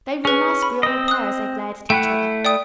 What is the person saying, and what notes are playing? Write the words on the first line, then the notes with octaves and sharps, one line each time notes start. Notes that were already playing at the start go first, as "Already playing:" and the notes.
They were a nice agreeable pair as they glared at each other.
C#4 G#4 B4
B5
C4 D#5
D#6 F#6
A3 E4 F#5 G5
D5 G5 D#6